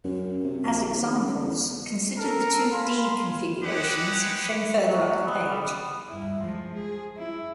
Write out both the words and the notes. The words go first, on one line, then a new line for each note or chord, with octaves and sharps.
As examples, consider the two "d" configurations shown further up the page.
F#2
C3
A#1
D#2
C#3
E2
A4 A#4
F5 G#5 B5 C6
G#3 G4 B4 F#5
F#3
B3
G3
B3
G2 E4
F3 G#3
G#4
E4